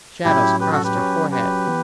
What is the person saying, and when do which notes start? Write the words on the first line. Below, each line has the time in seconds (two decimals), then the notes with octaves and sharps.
Shadows crossed her forehead.
0.24 A2 F#3 C#4 E4 G4
0.60 G4 B4
0.71 F#4 A4
0.84 G4 B4
0.95 F#3 C#4 F#4
1.31 G4 B4
1.67 E3 B3